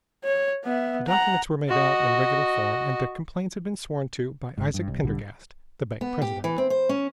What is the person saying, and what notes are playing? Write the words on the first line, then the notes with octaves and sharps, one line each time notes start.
The documents were made out in regular form, and the complaints had been sworn to by Isaac Pendergast, the bank president.
C#5
B3 E5
F#5 A#5
F#4 D#5
G1 G#2
G2
C2
B1 D3 G3
B3
G4
E3
C4
C5
C#4